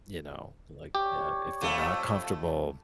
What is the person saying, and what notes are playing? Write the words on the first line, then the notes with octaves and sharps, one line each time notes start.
you know, like, uh, if they're not comfortable,
G4 C#5 D5
F2 A3